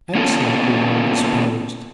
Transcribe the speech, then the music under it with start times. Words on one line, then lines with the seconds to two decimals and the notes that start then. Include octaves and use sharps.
"Excellently well disposed."
0.15 A#3 B3 C#4 F4 A4